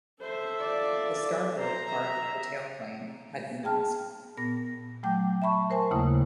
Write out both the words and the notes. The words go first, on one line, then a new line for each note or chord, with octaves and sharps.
The starboard part of the tailplane had been lost.
A4 C5 E5
F4 D5
C5 A#5
E5
G#4 G5 A5 F6
A#2 B3 A#6
F#3 A3 G5 D6 G6
E5 A5 B5 C#6
A#4 C5 G#5 A5 C6
D#2 C#3 A3 A#3 E4 D#6